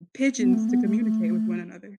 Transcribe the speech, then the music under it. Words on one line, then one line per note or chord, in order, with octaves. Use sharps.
pigeons to communicate with one another.
B3
A3
B3
A3
A3